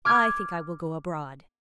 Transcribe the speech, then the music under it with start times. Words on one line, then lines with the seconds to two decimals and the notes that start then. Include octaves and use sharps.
"I think I will go abroad."
0.05 D6 F6 G#6